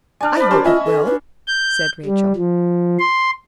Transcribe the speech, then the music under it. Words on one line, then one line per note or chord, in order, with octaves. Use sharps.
"I hope it will," said Rachel.
D4 D5 G#5 F6
C5 D5 B5
F#3 C#4 G4 A#4 C5
F4 D#5 E5 G#5
A4
D4 B4
G6
G3
F3
C6